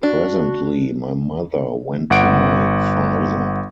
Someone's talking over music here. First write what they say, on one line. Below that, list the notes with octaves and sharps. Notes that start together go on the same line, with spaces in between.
Presently my mother went to my father.
D4 F#4
G1 F#5 D7